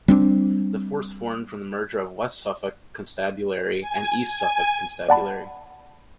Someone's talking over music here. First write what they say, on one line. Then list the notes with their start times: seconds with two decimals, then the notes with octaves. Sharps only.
The force formed from the merger of West Suffolk Constabulary and East Suffolk Constabulary.
0.08 G3 C4 D4
3.81 G#5
4.26 G#5
5.09 D5 F#5 A5 B5